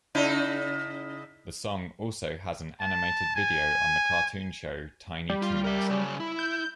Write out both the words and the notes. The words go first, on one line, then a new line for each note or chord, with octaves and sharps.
The song also has an animated video on the cartoon show Tiny Toons.
C#3 D#4 E4
A5
G#5
G3
F4
A#4 E5
C#3 F#3
E4
G6